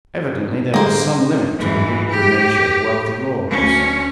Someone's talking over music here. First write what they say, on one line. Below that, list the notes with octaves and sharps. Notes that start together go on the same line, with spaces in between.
Evidently there was some limit to the weak good nature of wealthy lords.
D3 G3 G#3 A#3 C5
G#2 E3
G4
D2 C#4